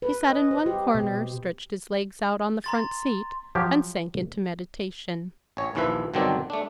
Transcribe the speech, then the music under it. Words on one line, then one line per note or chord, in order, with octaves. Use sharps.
He sat in one corner, stretched his legs out on the front seat, and sank into meditation.
B4
D#5
C5
G4
B2
A#5 C6 A6
F3 F#3 G4
A1 C#5
A#1 D#2 E3 F3 B4 E5
G1 B2 D#3 F#3 C4 D4
A3 D4